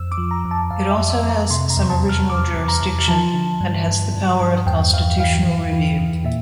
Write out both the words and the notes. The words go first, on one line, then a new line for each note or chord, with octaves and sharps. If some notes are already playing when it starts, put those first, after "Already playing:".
It also has some original jurisdiction, and has the power of constitutional review.
Already playing: F2 E6
D6
F3
A#5
F2
A5
F2 F5
E5
F2
E5
F2
A#5
C3 C6
A#5
E2
A5
E2
F6
E2 D6
E2
A#5
E2
F3 A5
D3
G2
G2
G2
G2
E2 G5
E3 F5
E3 F5
E2
E3
E2
A#2 E5